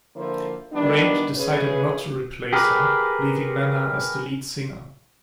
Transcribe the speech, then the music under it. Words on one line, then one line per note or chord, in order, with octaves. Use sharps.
Braid decided not to replace her, leaving Nanna as the lead singer.
D3 F3 A#3 E4 C5
D#3 G3 B3 D4
C#3 C#4 E4 G#4 B4
G4 G#4 A#4 B4 D6